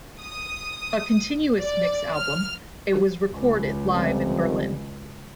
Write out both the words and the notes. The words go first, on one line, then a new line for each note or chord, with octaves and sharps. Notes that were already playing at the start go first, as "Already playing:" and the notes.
A continuous mix album, it was recorded live in Berlin.
D#6
D5
F6
C#2
F2 C3 G3